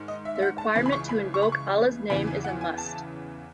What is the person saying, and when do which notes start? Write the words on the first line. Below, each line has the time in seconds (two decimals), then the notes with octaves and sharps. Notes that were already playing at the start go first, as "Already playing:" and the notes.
The requirement to invoke Allah's name is a must.
Already playing: G#2 D#3
0.08 D#5
0.25 E5
0.35 E5
0.42 F#5
0.58 A5
0.75 C#2 C#3 E3 B5
0.86 B5
0.92 C#6
1.09 B5
1.34 C#6
1.42 B5
1.52 C#6
2.10 E2 C#3 E3 B5
2.27 G#5
2.44 F#5
2.61 G#5
2.78 A5